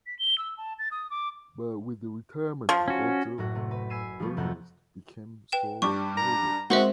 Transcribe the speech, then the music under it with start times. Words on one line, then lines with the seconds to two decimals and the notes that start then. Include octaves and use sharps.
But with the retirement of Otto, Ernest became sole ruler.
0.07 B6
0.19 G7
0.38 E6
0.58 A5
0.79 A6
0.91 D#6
1.10 D6
2.69 F3
2.88 C#4 F#4
3.38 F#1 A2 F#4
3.55 C3 A3
3.71 B4
3.90 G#5 B5 E6 C7 D#7 E7
4.20 F3 G3 A3 B3
4.37 F2 C3 F#5 G6
5.52 B4 G5 E7
5.82 G2 G3 C#6 D6
6.17 A#5
6.70 G#3 C4 F#4 A#4 C5 E5